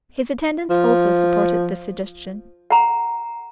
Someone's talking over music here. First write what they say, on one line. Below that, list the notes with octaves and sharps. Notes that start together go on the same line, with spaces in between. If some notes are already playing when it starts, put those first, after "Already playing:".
His attendants also supported this suggestion.
F3
F#5 A#5